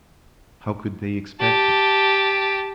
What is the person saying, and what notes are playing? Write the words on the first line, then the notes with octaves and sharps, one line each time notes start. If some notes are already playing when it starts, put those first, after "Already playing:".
How could they expect it?
G4 A5